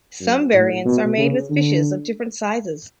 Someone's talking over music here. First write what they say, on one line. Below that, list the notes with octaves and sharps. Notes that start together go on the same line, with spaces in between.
Some variants are made with fishes of different sizes.
F#2
A2
B2
C#3
D3